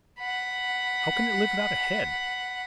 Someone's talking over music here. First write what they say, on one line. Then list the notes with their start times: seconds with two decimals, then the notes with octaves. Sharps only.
How can it live without a head?
0.19 F#5 B5